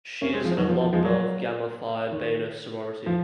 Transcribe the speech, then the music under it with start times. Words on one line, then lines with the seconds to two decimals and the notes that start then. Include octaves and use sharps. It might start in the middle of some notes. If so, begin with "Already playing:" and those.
She is an alumna of Gamma Phi Beta sorority.
0.21 A#3 C#4
0.33 G#3 C4
0.45 F3 G#3
0.57 D#3 F#3
0.69 F3
0.81 F3
0.93 F3 G#3
1.05 F#3 A#3
2.11 D#3
3.06 F3